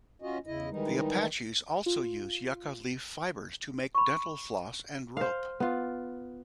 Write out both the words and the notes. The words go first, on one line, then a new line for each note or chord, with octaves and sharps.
The Apaches also use yucca leaf fibers to make dental floss and rope.
C#4 F4 F#4 D#5
E2 C#3 E4 D#5
D#3 E3 G3 G#3 D#4
F4
B5 C#6
C5 F5
B3 F4